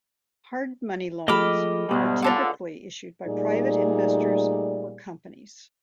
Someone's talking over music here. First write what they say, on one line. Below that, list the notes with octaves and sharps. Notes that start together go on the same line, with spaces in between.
Hard money loans are typically issued by private investors or companies.
F3 G#3 A3 G4 D#5 B5 D6 F6
D2 G#2 B2 G3
C#2 D3 F4 A4 F#5
A#2 G3 A3 D#4 G#4 D5